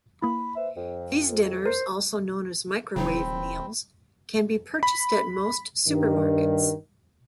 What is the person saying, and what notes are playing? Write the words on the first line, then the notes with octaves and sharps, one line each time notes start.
These dinners, also known as microwave meals, can be purchased at most supermarkets.
A#3 E4 B5
B4 C5 E5
F2
A#4 C5
D#1 C#3 F#3 C4 D#4 B5
B5
G2 D#3